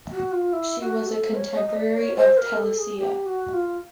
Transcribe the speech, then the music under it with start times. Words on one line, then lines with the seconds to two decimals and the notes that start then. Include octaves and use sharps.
She was a contemporary of Telesilla.
0.12 F#4
0.32 F4
0.53 E4
0.80 F#4
1.08 A4
1.35 C#5
1.55 D#5
1.67 D#5
1.76 D5
1.96 C#5
2.17 C5
2.38 A#4
2.57 A4
2.78 G#4
2.98 G4
3.26 F#4
3.53 F4